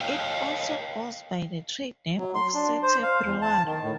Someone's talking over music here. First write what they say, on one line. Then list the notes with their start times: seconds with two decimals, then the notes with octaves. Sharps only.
It also goes by the trade name of City Brewery.
0.01 C#5 D#5 F5 G5
2.18 F#3
2.35 C6
2.54 D4
2.83 C5
3.03 F5
3.24 E2
3.42 A5
3.66 D#3
3.83 A2